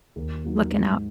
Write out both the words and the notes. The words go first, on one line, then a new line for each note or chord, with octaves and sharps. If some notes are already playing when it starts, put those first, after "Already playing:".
looking out.
D#2
D#3 F#3 A#3
G#2